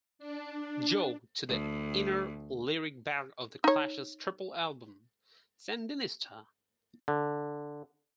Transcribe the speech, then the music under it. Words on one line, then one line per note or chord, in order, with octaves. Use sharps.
Joe" to the inner lyric bag of the Clash's triple album "Sandinista!
D4
D2
D#4 C#5
D3